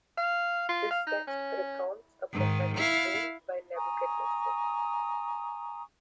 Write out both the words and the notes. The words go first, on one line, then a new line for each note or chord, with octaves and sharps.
This text recounts a prophetic dream by Nebuchadnezzar.
F5
F4
F5
D#4
C#4
G#2 D#3
E4 F5
G#5 A#5 C#6 D#6